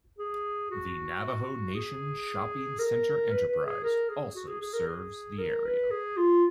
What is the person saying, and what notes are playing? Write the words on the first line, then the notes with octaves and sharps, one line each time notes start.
The Navajo Nation Shopping Center Enterprise also serves the area.
G#4
F#4
G#4
A#4
B4
B4
G#4
A#4
G#4
F#4
G#4
G#4
A#4
G#4
A#4
B4
G#4
F4